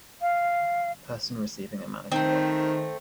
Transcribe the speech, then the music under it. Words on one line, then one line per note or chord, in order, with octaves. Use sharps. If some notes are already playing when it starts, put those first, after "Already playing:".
Person receiving a manicure.
F5
D#3 A3 C4